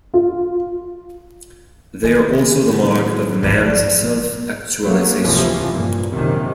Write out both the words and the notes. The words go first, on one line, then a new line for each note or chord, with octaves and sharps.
They are also the mark of man's self-actualization.
F4
D#3 E3 G#3
A2 F#3 B3
G#1 F3 G3 A3 D5
F#3 A3 A#3
F1 C#2 E3 F3
G2 A#2
A#1 F#2 C3 D#3